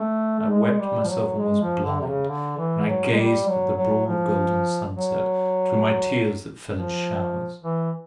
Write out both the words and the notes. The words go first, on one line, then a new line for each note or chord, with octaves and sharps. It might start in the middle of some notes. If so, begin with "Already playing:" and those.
I wept myself almost blind, and I gazed at the broad golden sunset through my tears that fell in showers.
Already playing: A3
A3
G#3
G3
F3
F#3
G#3
F3
D3
C3
C#3
D3
E3
F#3
G#3
G3
F#3
F#3
F3
F#3
F3
E3